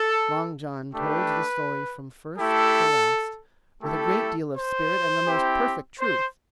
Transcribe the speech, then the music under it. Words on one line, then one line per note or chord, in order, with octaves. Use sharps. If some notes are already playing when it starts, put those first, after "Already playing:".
Long John told the story from first to last, with a great deal of spirit and the most perfect truth.
Already playing: A4
A3 D4 G4 B4
A3 E4 G4 A4
A3 E4 G4 A4
C5
C4 E4 G4
C5